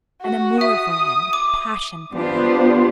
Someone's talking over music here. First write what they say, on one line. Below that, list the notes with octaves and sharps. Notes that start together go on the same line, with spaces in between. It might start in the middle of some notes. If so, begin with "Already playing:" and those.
An amour for him; passion for her.
F#4
E5 D#6
D6
B3 D4 F4 G4 C5